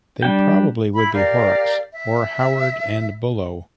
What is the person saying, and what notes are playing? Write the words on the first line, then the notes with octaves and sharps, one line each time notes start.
They probably would be Horrocks, or Howard and Bullough.
G3 D4 G5
E4 B5
G4 A#4 D5 F5
E5